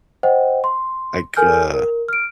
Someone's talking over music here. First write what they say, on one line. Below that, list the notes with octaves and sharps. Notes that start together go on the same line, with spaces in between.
like, uh,
C5 D#5 F#5 G5
C6
A4 A#4 G#5 F6 G6
A#4
F6 D7